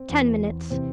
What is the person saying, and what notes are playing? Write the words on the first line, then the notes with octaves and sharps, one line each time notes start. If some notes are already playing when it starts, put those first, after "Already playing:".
Ten minutes.
Already playing: C4
E2 E3
C3 E3 C4